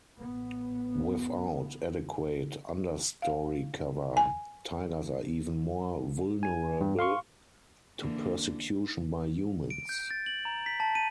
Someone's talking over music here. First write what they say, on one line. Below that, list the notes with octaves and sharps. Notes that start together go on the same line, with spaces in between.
Without adequate understory cover, tigers are even more vulnerable to persecution by humans.
A1 B3
F5
G#5
G#5
G2
F5 C6 C#6
D3 E3 A#3
D7
G6
A6
F#7
A#5
B6
A5
D#7